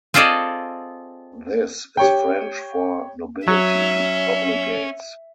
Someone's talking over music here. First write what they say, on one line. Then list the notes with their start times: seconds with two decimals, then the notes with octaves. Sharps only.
This is French for "nobility obligates".
0.14 C4 F4 G#4 A4 D5 D#5
1.97 G4 C#5 G5
3.48 F#3 C#4 E5